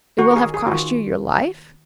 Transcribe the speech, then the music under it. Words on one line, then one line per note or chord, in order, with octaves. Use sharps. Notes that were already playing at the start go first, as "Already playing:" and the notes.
It will have cost you your life?
D#3 F#4
A#4
G#4
D#3
G#4
F#4
D#3 F4